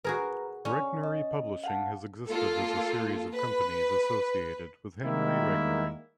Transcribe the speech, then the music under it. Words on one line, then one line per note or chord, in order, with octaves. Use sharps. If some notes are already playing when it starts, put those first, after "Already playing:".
Regnery Publishing has existed as a series of companies associated with Henry Regnery.
F#4 G#4 A#4 B4 A#5
C#4 D5
D#5
F5 F#5 A5
A#3 F4 A4
B4
D#3 G3 G#3 A#3 E4